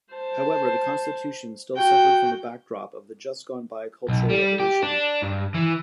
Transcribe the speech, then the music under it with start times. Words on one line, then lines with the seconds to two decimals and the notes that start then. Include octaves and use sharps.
However, the Constitution still suffered from the backdrop of the just-gone-by Cultural Revolution.
0.14 C5 A5
1.77 F#4 G5
4.09 B1
4.30 G3
4.60 G4
4.83 D4
5.23 G2
5.54 E3